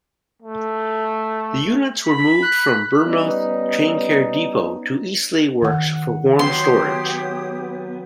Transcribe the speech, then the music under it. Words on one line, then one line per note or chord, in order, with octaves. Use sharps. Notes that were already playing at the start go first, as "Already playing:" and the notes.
The units were moved from Bournemouth Traincare Depot to Eastleigh Works for warm storage.
A3
B5
F#6
G3 B3 C#4 D#4
D#3 F#5
F#3 B3 G4 C#5 C6 D#6